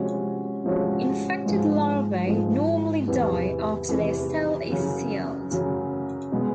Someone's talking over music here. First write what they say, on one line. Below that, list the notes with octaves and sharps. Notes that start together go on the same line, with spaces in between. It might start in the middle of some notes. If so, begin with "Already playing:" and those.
Infected larvae normally die after their cell is sealed.
Already playing: C3 F3 G#3 C#4 F#4
C3 F3 G#3 C#4 F#4
G#2 F3 G#3
G#2 F3 G#3
E2 C3 E3
E2 C3 E3
F#2 C#3 F#3
F#2 C#3 F#3
B2 G#3 B3